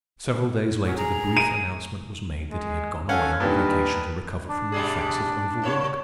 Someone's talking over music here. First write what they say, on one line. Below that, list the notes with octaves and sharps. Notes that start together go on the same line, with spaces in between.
Several days later the brief announcement was made that he had gone away on a vacation to recover from the effects of overwork.
F#3 C#4
G#4 A#5
D#7
G#3
C#4 A4 F5 F#5 G#5
G2 A#2 D#3 A#4 B4 A5
D4
B2 G3 G#4
G2 A#3 C#5